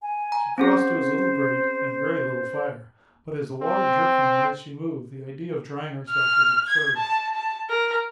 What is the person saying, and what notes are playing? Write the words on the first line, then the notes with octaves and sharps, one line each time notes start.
She crossed to his little grate and very little fire, but as the water dripped from her as she moved, the idea of drying herself was absurd.
G#5
A#5
C4 C#4 G#4 C5
C4
F6
G#6
A5
A5
A#4